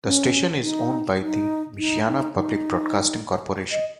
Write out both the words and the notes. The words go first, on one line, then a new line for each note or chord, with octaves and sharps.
The station is owned by the Michiana Public Broadcasting Corporation.
C#4
D#4
D#4
D#4
D#4
D#4
D#5